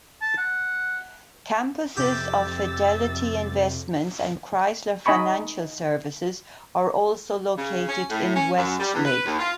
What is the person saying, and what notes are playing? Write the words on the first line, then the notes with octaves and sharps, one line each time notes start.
Campuses of Fidelity Investments and Chrysler Financial Services are also located in Westlake.
A5
F#5
F2 C3 G4 E6 A6
D#4 D#5 G#5 B5 C#6
C#3
C#4
A2
C#4
F#2
G3
E2
B4
D#2
F4